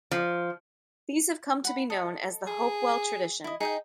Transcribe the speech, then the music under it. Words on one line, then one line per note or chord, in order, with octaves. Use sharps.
These have come to be known as the Hopewell tradition.
F3
F#5 B5
A4 D#5
G#4
E4 D#5
D#4 G#4 D#5 G5